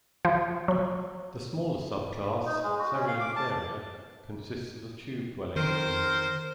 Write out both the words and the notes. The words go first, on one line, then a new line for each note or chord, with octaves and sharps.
The smaller subclass, Ceriantharia, consists of the tube-dwelling anemones.
F3
F#3
D#4
G#3
F#4
C#4
F5
D6
A5
D#3 A#4 C5